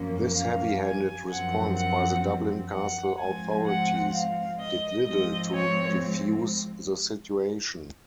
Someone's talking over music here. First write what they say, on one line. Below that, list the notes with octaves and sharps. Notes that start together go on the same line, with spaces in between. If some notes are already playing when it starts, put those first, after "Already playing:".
This heavy-handed response by the Dublin Castle authorities did little to defuse the situation.
Already playing: F#2 F3 A#3 C#4
F5
G#5
F#2 F3 C4 F#5
F#5
F#5
G#2 F3 C4 G#5
F#5
F5
D#5
G#2 F3 G#3 C4 D#5
C#5